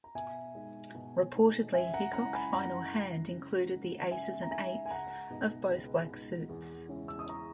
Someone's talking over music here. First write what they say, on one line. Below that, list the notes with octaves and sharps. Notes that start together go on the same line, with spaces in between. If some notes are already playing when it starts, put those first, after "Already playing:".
Reportedly, Hickok's final hand included the aces and eights of both black suits.
A#5
B2 E5 G#5
G#3 D#4
B2
G#3 D#4
F#2 E5 G#5
F#5 A#5
C#3 G#3 C#4 E4 F#5 A#5
G#5 B5
F#2 F#5 A#5
C#3 G#3 C#4 E4
C#3
G#3 D#4
C#3 E5 G#5
A#5
G#3 D#4 E5 G#5
G#5
C#2 F#5 A#5
B2 G#3 D#4
C#2
B2 G#3 D#4
E2
C#3 G#3 C#4 E4
E6
D#6
A#5 C#6